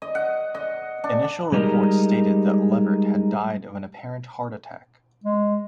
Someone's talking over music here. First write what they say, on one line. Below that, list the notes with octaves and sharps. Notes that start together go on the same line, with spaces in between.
Initial reports stated that Levert had died of an apparent heart attack.
D#5
F#5
D#5
D4
G3 G#3 D#4 G4 A#4
G#3